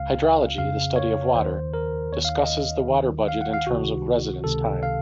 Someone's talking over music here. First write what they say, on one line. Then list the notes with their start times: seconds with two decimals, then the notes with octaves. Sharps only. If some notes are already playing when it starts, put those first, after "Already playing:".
Hydrology, the study of water, discusses the water budget in terms of residence time.
Already playing: C#2 C#3 F5
0.58 F2 C#3 F5
0.96 C#5
1.35 D#2 D#3 C5
1.74 A#4
2.12 D#2 C#5
2.15 D#3
2.25 F5
2.38 D#5
2.90 D#2 D#3
3.28 F5
3.41 F#5
3.53 F5
3.67 C#2 C3 D#3 F#4
4.44 C#2 C3 D#3 A4
4.83 F5